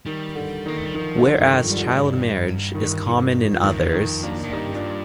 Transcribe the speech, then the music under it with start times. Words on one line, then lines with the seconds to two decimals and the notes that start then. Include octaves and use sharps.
Where as child marriage is common in others.
0.06 D#3 G3
0.35 D3
0.66 D#3 A#3
0.77 A3
0.86 G3
0.95 D#3 F3
1.17 D3
1.39 G2 D#3
1.63 F3
1.70 G3
1.77 D3 F3
1.84 G2 D#3 G3
1.92 A2
2.01 G2
2.74 D#3
3.53 F3
3.63 F2 D#3
3.71 G2
3.78 F2
3.93 D#3
4.23 A#3 D4
4.44 A2
4.52 G2 D#4 G4
4.75 D4 F4